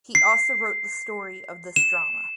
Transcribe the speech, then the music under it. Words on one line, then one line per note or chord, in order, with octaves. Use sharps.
He also wrote the story of this drama.
C7
E7